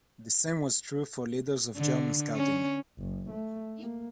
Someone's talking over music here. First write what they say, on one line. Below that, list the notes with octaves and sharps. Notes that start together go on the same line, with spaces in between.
The same was true for leaders of German Scouting.
D3
C#4
F#1
A3
A#3